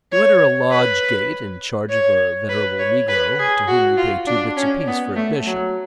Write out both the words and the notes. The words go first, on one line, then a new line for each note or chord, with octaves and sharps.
You enter a lodge gate in charge of a venerable negro, to whom you pay two bits apiece for admission.
C#5
B4
C#5
B4
C#5
B4
G#4
F#4
F4
D4
C#4
B3
A3
F#3